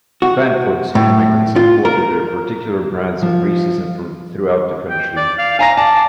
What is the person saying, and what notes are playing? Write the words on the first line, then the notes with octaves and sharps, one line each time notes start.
Vanport's in-migrants imported their particular brands of racism from throughout the country.
F#4
A2
F4
A#4
F3
G5
D5
F5
F5 G#5 A#5 A#6
D5 A5